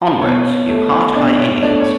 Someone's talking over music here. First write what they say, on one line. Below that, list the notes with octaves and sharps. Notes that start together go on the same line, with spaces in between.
Onward you Hart High Indians.
B2 C#5
A3
B2 D4 D5
C#5
A3 D4 D5
C#5